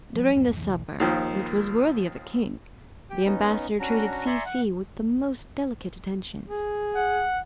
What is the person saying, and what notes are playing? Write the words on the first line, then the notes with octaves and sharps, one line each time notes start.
During the supper, which was worthy of a king, the ambassador treated C- --- C---- with the most delicate attentions.
F3 G3
D1 F#2 B3
B1 F2 E3
E1 B1 E3
D#2 D#3 F3
G4 G5
B3 C#4 D#4
C#4 D4 F#4 A#5
D5 E5 G#5 A#5 C6 C#6
F#5
G#4
F#5